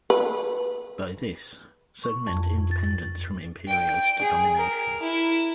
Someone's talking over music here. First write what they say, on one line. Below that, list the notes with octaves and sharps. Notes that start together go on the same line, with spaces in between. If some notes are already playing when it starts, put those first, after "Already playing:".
By this, Sun meant independence from imperialist domination.
B4
C#6
F2
A6
G5
G#4
A#4
E4